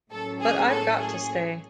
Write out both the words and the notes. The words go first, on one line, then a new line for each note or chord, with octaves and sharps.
But I've got to stay.
A2 F#3 A#3 C#4 A4
G#4
A4
G#4